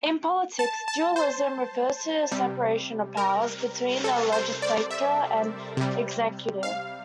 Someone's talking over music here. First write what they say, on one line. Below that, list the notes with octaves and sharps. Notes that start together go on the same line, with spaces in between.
In politics, dualism refers to the separation of powers between the legislature and executive.
A5
A5
C5
C3 G3
A#4
A4
C5
D5
E5
C3 G3
F5